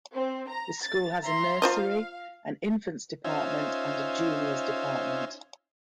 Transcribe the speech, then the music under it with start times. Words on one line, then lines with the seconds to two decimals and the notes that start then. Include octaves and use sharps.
The school has a nursery, an infants department and a juniors department.
0.13 C4
0.48 A#5
0.81 A6
1.24 E5 A#5 C6
1.62 F4 C5 D#5 F5
3.24 C#4 D#4 F4 C5 E5 G#5